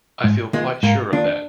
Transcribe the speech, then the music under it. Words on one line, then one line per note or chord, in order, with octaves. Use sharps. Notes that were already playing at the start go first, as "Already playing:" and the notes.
I feel quite sure of that.
G#2
D#3 G#3 A#3 F4
G#2 A#3
D#3 A#3 D4 F4